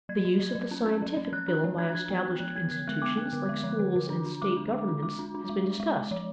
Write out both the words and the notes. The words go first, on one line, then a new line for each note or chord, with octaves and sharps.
The use of the scientific film by established institutions like schools and state governments has been discussed.
F#3 G#6
F#3
F#3
F#3
C#4
C#4
F#3
F#3
F3 F#6
D4 F#6
F3
D4 G#6
F#6
D4 G#6
B3 G#6
B3
F3 F#6
B3 G#6
D3 G#6
G#3 F#6
B3 D6
B3
D3
G#3
F3
D3
D3
D4
D4
G#3 D6
D4
G#3
D4
G#3 D6
D4
D4
G#3
G#3
G#3
G#3
F3